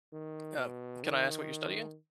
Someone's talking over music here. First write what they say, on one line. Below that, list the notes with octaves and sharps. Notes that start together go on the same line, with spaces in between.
Uh, can I ask what you're studying?
D#3
B2
D#3